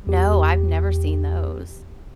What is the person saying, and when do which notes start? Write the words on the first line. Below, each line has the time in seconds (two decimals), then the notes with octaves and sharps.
No, I've never seen those.
0.07 E2 G4